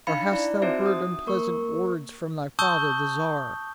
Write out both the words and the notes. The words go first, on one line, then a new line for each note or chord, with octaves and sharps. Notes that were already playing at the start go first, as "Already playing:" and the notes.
"Or hast thou heard unpleasant words from thy father the Tsar?"
D4 D#4 F5 B5 C#7
E4 D5
C4 D#4 F#4 C5 E5
D#6
A#3 A#4 C#6
A5 C#6 D#6 E6 G6 G7